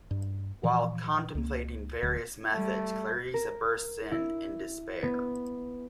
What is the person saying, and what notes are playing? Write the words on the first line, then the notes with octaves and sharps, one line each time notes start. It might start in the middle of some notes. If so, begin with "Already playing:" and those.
While contemplating various methods, Clarisa bursts in in despair.
G2
A#2 E3 F3
C#2 A#3
D1 D2
G3 A3
A#4
E4
B3